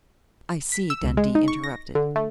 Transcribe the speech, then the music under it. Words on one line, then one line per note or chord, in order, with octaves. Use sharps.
"I see," Dundee interrupted.
B6
E6
C#2
G#3
D#4
C#6
A#6
D3
A3